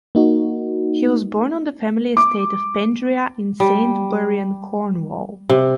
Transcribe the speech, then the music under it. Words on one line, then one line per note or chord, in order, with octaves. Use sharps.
He was born on the family estate of Pendrea in Saint Buryan, Cornwall.
A#3 D#4 F#4
D6
G3
C3